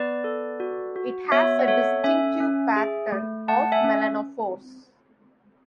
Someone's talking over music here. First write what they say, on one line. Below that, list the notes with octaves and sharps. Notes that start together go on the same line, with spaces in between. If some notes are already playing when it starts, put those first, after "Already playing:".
It has a distinctive pattern of melanophores.
Already playing: B3 B4 D5
A4
F#4
F#4
B3 C#5 E5
F#5
A4 C#5 E5
C#4 E5 G#5
C#4
G#4
A3
A3 F#5 A5
E5 G#5
C#4